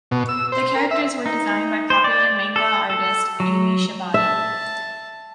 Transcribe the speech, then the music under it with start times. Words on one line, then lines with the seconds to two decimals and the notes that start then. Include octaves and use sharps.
The characters were designed by popular manga artist Ami Shibata.
0.11 B2
0.29 E6
0.52 C5
0.76 A#4
0.91 E5
1.26 D#4
1.90 C5
2.04 D5
2.56 A4
2.90 A4
3.40 F#3
4.14 E5 A5